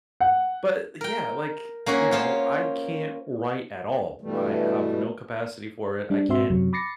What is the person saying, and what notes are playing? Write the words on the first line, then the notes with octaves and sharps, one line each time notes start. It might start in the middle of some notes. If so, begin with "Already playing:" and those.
But, eh, yeah, like, y you know, I can't write at all, I have no capacity for it, I can't
F#5
A#4 G5
A#3 C#4 F#4 G#4
C#4 F4 C5
G2 B2 E3 G3 A3
G3 D4
G#2 C4 F#4 E5 C6
F#2 C3 F#3
B5 D6 A6 A#6 C7 C#7